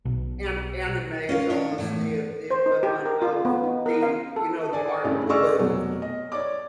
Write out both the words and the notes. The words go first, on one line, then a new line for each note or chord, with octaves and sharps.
an anime is almost the the equivalent of the, you know, the art in the Louvre,
B1
C#4 F4 A#4 F5
D4 C#5
E2 A2 C#3
C5
D#4
G4
A#4
F4
B3
D#4
A#4
F5
A4
D5 G#5
G2 C#3 A3 C#4 D4 E4
G#4 D5 D#5 C#6 E6 F6
F1 B2 F#3
D#5
C#5 D5 D6